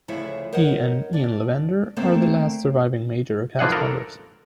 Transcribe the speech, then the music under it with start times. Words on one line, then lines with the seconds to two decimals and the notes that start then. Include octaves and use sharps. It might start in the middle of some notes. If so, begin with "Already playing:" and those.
He and Ian Lavender are the last surviving major cast members.
0.08 D2 C#3 F3 E4 C#5 E5
0.53 A#4 C5 C#5 D#5 F#5
1.13 D4 D5
1.96 D3 A3 A#3 C4 C5
3.59 E3 F3 D4 G#4 F#5
3.72 A4 A#4